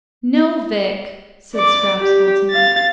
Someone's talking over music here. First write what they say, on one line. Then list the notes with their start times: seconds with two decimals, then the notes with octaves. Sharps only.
"No, Vic," said Scraps, halting.
1.56 D5 D6
2.00 G4
2.50 F5 A6